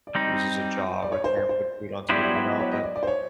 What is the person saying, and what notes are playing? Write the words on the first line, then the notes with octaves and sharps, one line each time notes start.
loses a job or can't put food on table, you know, but
D5
G3 C4 D#4 D#5
D5
C#5
C5
C5
C5
F#3 B3 E4 G4 C5 D5
D5
E5
D#5
C#5
D#5
D5
D5
C5
C#5